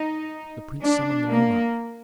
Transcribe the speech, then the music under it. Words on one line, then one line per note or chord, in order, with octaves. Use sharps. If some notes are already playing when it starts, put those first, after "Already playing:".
The prince summoned the nomarch.
Already playing: D#4
D4
A#3